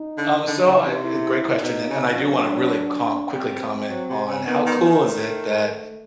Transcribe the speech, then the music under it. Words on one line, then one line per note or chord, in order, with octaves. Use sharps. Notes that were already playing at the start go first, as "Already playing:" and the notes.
Um, so, I g great question, and and I do wanna really com quickly comment on how cool is it that,
Already playing: D#4
D3
D3 D#4
C#3
C3
E4
B2 D#4
C#3
F3
F#3 D4
G3 C4
F#3
C3
C#3
D#3 B3
D#3
D#3
A3